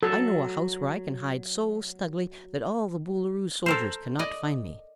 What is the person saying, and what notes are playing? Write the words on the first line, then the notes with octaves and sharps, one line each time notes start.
"I know a house where I can hide so snugly that all the Boolooroo's soldiers cannot find me."
F#3 A4
A4 A#4 C5
D5 D#5